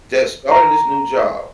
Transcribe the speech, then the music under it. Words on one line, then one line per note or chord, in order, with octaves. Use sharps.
that's starting this new job
A#5